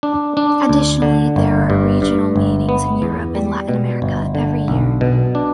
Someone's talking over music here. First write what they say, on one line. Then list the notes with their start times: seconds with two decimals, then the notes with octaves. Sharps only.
Additionally, there are regional meetings in Europe and Latin America every year.
0.03 D4
0.37 D4
0.69 D2
1.02 D3
1.36 G1
1.70 G2
2.02 G2
2.36 G1
2.69 B3
3.02 E2
3.35 G3
3.69 B2
4.02 G1
4.35 D3
4.68 B1
5.01 B2
5.35 D4